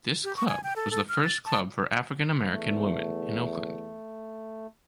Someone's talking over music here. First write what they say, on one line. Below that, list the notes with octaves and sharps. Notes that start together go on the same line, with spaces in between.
This club was the first club for African American women in Oakland.
G4
C#6
G#5
G5
A4
A4
F6
A6
A5
E2 A3